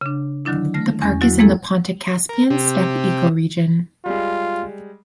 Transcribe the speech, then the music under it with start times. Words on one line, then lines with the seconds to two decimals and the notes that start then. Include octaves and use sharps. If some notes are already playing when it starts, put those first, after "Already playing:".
The park is in the Pontic–Caspian steppe ecoregion.
0.01 C#3 D4
0.45 D3 D#3 F#3 D4 E4
0.74 A3 F6 A#6
1.01 E2 C#4 A#6
1.21 F#3 E4 F#4
1.39 G#3 A#3 C4 E4 G#4 A4
2.29 A#4
2.50 C3 G4
4.06 G3 G#3 F4